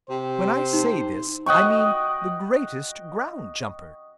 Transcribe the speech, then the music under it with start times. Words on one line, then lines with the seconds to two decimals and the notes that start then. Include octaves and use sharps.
When I say this, I mean the greatest ground jumper.
0.10 C3 C5
0.73 D#4
1.46 D#5 F#5 G5 C#6